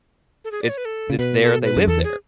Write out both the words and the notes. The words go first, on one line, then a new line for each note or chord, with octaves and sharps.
It's it's their they live there.
A4
G#4
D5
C#5
B4
A4
C#3
B2 B4
A4
B4
F#2
E2 A4
G#4